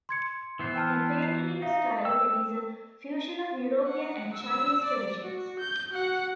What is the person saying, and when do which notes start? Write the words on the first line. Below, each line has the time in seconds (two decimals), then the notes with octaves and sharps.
He painted in a style that is a fusion of European and Chinese traditions.
0.09 C6 G#6 C#7
0.59 E3 B3 C5
0.76 G5 A5 F6
1.22 C7
1.62 D#4 E5 F5
2.05 G5 E6
3.86 F#5
4.34 E6
4.84 D5
5.23 F#4
5.60 G6
5.90 F#4 F#5